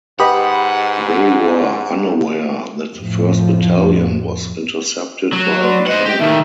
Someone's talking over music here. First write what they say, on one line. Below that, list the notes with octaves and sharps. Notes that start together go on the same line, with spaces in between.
They were unaware that the first battalion was intercepted by the enemy.
G#2 G4 B4 D#5 F#5 B5 D#6
F2 A2 F3
F#3
B4 D5 C6
C5 D#5 F#5
G4 G5
A2 D#3 E5